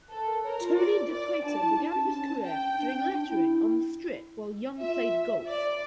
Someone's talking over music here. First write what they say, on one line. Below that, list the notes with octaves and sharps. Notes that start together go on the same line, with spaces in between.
Tony DiPreta began his career doing lettering on the strip while Young played golf.
A4
A#4
A#4 C#5
F4
D5
D5
D4 A5
E4
D4
C#4
D4
C#4 A5
G5
D4
C#4
D4
E4
F4 E5
D5